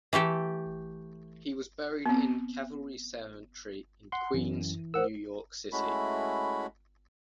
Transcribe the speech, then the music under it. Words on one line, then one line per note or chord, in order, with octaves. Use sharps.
He was buried in Calvary Cemetery in Queens, New York City.
E3 A3 G4 A4
B3 C4
F#5 C6
F#2 E3
A#4 C5 F#5 E6
G#3 A3 C#4 E4 F#4 B5